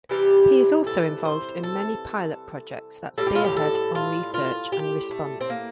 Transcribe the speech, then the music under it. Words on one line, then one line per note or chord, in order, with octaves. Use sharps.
He is also involved in many pilot projects that spearhead on research and response.
C3 E3 G3 G4
A4
C5
A4
A2 G3 A4
G4
F4
G4
A4
F4
F4
G4
A3
C4
A#3